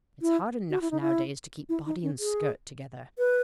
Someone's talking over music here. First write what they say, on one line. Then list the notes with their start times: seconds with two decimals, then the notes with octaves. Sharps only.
It's hard enough nowadays to keep body and skirt together.
0.21 E4
0.70 F#4
0.81 E4
0.91 D#4
1.01 E4
1.69 E4
1.86 D#4
2.03 C#4
2.19 G#4
3.18 B4